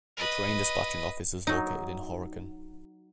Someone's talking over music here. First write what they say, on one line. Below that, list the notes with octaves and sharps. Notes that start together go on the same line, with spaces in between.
The train dispatching office is located in Horicon.
B4 D#5
F#3 D#4